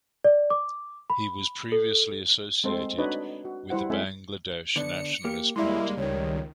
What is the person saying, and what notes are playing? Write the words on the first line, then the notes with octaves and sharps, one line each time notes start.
He was previously associated with the Bangladesh Nationalist Party.
D5
D6
B5
A4
G#3 A3 C4 A4 C5
D4 D#4 F#4 B4 C#5 D#5
F#4
G3 E4 C5 F#5
G#3 C4 A4 E5 G#5
D3 B3 D4 C#7
A#3 G4
C2 G3 G#3 A#3 E4 C6
C#2 D#3 C#5